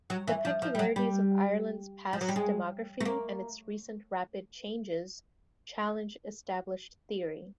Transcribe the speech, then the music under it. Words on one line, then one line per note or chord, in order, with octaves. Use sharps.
The peculiarities of Ireland's past demography and its recent rapid changes challenge established theory.
F#3
E3
F3
F3
G3
F#3
G3
F3
F#3
G3
G#3
A3
A#3